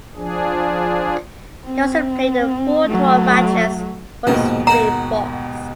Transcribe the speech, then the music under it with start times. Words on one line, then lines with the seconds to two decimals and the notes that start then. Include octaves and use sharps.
He also played in four tour matches for the Springboks.
0.15 F3 D4 G#4
1.65 C4
2.87 F#3 A3
4.27 A#1 D#2 G#2 B2 F3 A#4
4.67 F#4 A#4 F#5 A#5